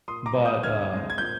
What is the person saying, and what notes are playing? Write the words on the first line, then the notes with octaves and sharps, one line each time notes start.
But, uh,
A#2 C6 D#6
A#5 D6
G#3 C4
D#6 G6
D2 F6 G#6
D3 G#3 C4
G#6
A#2 G6